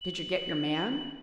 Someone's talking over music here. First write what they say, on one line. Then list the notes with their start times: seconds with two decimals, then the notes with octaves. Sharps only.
"Did you get your man?"
0.01 F#7